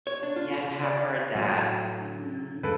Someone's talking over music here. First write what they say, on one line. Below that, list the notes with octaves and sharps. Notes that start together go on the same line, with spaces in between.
Yeah, I've have heard that. Mhm.
C#5
D4
F4
C#3
D5
A2 F#3
G2 C#3 F4 A4 B4